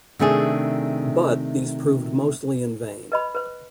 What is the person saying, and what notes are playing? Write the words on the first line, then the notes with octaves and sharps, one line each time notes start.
But, these proved mostly in vain.
C3 D#3 A3 D4 G#4
B4 D#5 B5
B4 C5